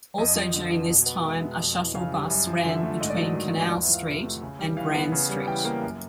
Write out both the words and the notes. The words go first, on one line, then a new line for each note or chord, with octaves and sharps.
Also during this time, a shuttle bus ran between Canal Street and Grand Street.
F2 D#5
F3
D3
F2
B2
B3
G#3 E5
B2
F2
E3
C#3 F5
G3
F#2
F3
D3 E5
A3
G#2 D#5
D5
F#3 D#5
D#3
B3
E2 D5
E5
F3
F5
C3 F5
A3
C#3
G3
E3 F5
B3
C#3
G3
E3 G5
A#3
F#2